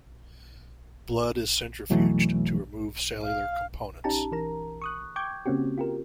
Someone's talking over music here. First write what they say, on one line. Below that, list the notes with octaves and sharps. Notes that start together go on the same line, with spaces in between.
Blood is centrifuged to remove cellular components.
F2 B2 E3 F#3 A3
F5
C#4 D#4 G4 A5 A#5
E3 A#4 A#5
C#6 D#6 F#6
G5 C#6 D6 G6 G#6
C#3 A#3 C4 C#4 F#4 G4
F4 G4 A#4